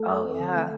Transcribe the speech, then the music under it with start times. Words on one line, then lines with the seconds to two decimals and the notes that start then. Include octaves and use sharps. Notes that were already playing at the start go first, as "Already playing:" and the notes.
Oh, yeah.
Already playing: A3 A4
0.09 F2
0.25 C4
0.40 D3
0.56 A3